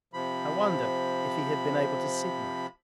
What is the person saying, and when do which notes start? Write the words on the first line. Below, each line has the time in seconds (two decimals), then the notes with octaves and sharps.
I wondered if he had been able to signal it.
0.13 C3 F3 B5